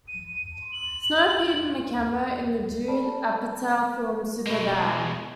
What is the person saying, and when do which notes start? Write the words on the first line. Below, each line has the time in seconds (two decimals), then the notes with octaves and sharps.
Snow appeared in a cameo in the Judd Apatow film "Superbad".
0.08 D#7
0.35 D#7
0.72 F#7
2.88 A4 C5 D5 A5 B5
4.46 B2 G#3